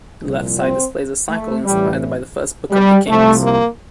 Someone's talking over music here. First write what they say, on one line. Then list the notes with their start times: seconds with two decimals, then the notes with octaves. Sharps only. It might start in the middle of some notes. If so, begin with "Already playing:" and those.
The left side displays a cycle inspired by the first book of the Kings.
0.24 C2 A#2 F3
0.60 C4
1.29 A3
1.65 A1 A2 E3 G3
2.71 G3
3.07 C2 C3 F3 A3
3.42 A#3